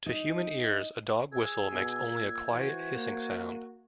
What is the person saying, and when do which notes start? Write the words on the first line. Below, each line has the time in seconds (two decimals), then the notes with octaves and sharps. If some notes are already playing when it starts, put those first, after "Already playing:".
To human ears, a dog whistle makes only a quiet hissing sound.
0.06 D#4
1.32 G#4 E6 G#6
1.73 B2
2.08 A#2
2.51 E3 F#4 C5
2.95 A#3